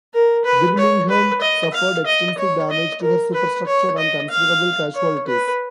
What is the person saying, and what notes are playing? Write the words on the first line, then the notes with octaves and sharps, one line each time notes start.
"Birmingham" suffered extensive damage to her superstructure and considerable casualties.
A#4
B4
C#5
B4
D#5
F5
D#5
C#5
D#5
A#4
B4
C#5
D#5
F5
C#5
B4